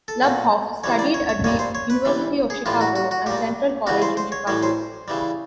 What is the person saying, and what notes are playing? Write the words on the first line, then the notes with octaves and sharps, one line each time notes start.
Luboff studied at the University of Chicago and Central College in Chicago.
A4
A#2 F#3
C3 E3 G3 C#5
D5
C#5
C#5
A#2 G3 C#5
C5
C#5
B4
C3 E3 G3
G#4
A2 E3 G3 F4
F#4
F#4
F#4
A#2 G3 G4
C#3 E3 G3 F#4
C5
C5
C#5
A2 E3 G3 C#5
C5
C#3 E3 G3